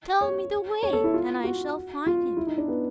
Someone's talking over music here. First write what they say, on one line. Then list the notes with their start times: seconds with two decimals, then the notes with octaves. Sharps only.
"Tell me the way, and I shall find him!"
0.21 C#5
0.83 C#5
0.93 A4
1.04 E4
1.14 F4
1.44 F#4
2.07 F4
2.37 E4
2.47 D#4
2.58 D4
2.68 B3